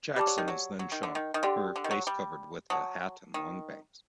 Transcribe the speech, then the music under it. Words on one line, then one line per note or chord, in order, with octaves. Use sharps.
Jackson is then shown, her face covered with a hat and long bangs.
G3 G4 D5 A5 D6
F#3
D#3
F#3
F#3
D#3
D3
D#3
D#3
D3 G4 D5 G5 C6
D3
D#3
F#3
G3
F#3 F#5 A5 D#6
D#3